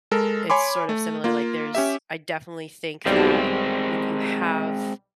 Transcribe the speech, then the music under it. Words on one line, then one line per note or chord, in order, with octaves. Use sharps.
it's sort of similar. Like, there's I definitely think that when you have,
G#3 A4 A#4
C#5 G#5 B5 C6 D6
A3
A#3 F4
C#4 G4 E5
B1 G3 G#3 C4